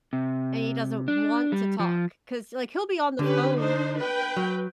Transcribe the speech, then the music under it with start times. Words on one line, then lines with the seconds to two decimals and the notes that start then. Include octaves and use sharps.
and he doesn't want to talk, 'cause, like, he'll be on the phone
0.13 C3
1.08 D4
1.52 G3
1.80 F3
3.19 D3 C#4 G4 B4
3.58 D4 D#4 C5
3.98 B4 G5
4.37 F#3